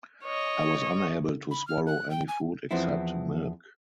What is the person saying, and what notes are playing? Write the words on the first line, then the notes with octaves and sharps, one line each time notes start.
I was unable to swallow any food except milk.
C#5 D#5
B5
F6
F#6
G5
G#5
E2 F3 B3 C4 E4